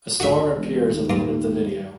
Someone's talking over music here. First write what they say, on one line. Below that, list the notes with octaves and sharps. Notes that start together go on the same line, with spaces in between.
A storm appears at the end of the video.
D2 F#4 E5
E1
D#2
G2